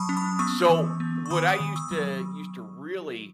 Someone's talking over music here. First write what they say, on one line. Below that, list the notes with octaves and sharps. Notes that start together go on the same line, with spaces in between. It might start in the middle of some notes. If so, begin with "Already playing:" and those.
So, what I used to used to really
Already playing: F#3 A5 B5 C#6 D#6
C#4
B5 D#6
B3 C#6 E6
E3
B3
C#6
D#3 B5 D#6
D#3
C#6 E6
F#3